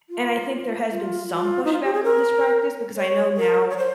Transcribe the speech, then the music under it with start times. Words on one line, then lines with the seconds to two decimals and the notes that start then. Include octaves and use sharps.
And I think there has been some pushback on this practice because I know now
0.09 F4
0.91 F4
1.32 F4
1.65 D#4
1.73 F4
1.84 G4
1.94 G#4
2.03 A#4
2.97 C#5
3.37 A#4
3.70 C#5
3.78 C5